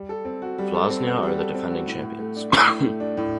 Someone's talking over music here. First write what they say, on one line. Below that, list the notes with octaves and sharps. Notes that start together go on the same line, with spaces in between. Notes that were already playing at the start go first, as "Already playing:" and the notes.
Vllaznia are the defending champions.
Already playing: G3
A4
C4
F#4
G3
A4
C4
F#4
G3
A4
C4
F#4
A2
A2
A3
D4
A2
A2
A3
D4
A2